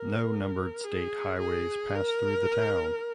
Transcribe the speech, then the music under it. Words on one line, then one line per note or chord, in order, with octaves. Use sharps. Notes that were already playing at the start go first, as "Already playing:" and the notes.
No numbered state highways pass through the town.
Already playing: A#4
G#4
G#4
A#4